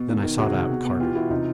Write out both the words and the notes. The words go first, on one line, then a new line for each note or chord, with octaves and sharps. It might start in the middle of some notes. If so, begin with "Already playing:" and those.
Then I sought out Carter.
Already playing: B2
D#3
D#3
C3 F#4 G#4
C3
B2
B2
E3 F4 G4
E3 E4 F#4
C3 D#4 F4